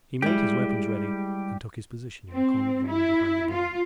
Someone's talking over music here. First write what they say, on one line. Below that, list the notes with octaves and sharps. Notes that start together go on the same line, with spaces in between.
He made his weapons ready, and took his position in a corner of the room behind the door.
G3 G#3 E4 G4
C4
E4
F4